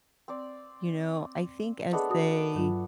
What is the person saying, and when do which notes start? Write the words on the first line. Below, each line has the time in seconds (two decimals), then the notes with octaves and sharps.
you know? I think as they
0.28 C4 D5
1.92 A3 B3 D4 G#4 C#5 D#5
2.10 F#4 A5 D#6
2.54 G2 F#3 F4